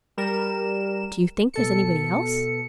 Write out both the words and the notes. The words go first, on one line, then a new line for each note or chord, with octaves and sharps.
'Do you think there's any one else?'
G3 A#4 E7
B2 A4 C#7